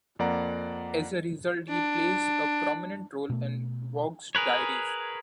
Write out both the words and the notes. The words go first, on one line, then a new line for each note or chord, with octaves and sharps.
As a result, he plays a prominent role in Waugh's diaries.
F2 A#3 D5 F#5 A#5
D4
B2 A3
G#4 A#4 B4 C#5